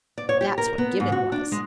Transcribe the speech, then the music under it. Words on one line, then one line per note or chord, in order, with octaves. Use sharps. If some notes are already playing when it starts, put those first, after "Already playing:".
That's what Gibbon was.
D5
C#5
G4
A#4
B3
G#2
F#4
D4
G#3